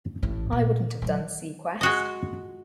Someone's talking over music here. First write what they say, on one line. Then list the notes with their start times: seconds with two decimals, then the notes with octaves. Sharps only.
I wouldn't have done "seaQuest".
0.22 A1 A2
0.52 A#2
1.02 E3 F#3
1.81 G#3 F#4 D#5